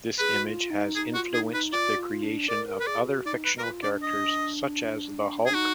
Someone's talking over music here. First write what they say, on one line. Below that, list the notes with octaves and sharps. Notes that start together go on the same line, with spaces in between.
This image has influenced the creation of other fictional characters, such as the Hulk.
G#4 B4
F#4
F4
D#4
D#4 G#4
F4 F#4
D#4 G#4
D#4 B4
F4 D5
F#4
F4
D4
A#4 D5
A#4
B4
G#4 D5
F#4
D#4 D5
B4
A#4
F4 B4
D4 D5
D#5
D4 G#4
D#4 F#4